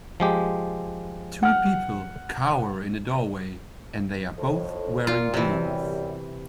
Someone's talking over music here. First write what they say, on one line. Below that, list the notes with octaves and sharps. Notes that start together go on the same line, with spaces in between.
Two people cower in a doorway and they are both wearing jeans.
F3 G#3 G4
F#5 F6
F2 A2
A#2 F4
F#2 C3 E3 G3